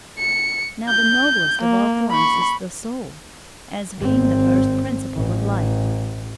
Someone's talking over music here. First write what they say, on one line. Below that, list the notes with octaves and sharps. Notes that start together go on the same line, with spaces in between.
Now the noblest of all forms is the soul, as being the first principle of life.
C#7
G6
A#3
B5 C#6
G#1 C4
A1